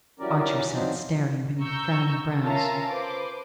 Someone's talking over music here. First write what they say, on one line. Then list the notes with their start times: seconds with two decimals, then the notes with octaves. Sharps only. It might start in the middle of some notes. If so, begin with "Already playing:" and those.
Archer sat staring beneath frowning brows.
0.19 E3 F#3 G3 C#4 A#4 D5
0.72 F3 F#3 C4 D4 D#4
1.61 A#5 C#6 E6 G6
2.43 C#4 F4 A#4 E5 A5 A#5
2.88 B4 C5 D6